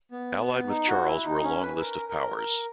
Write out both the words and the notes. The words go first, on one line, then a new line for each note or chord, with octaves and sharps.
Allied with Charles were a long list of powers.
B3
B3
D#4
F#4
E4
D#4
C#4
B4
B4
A#4
A#4
A#4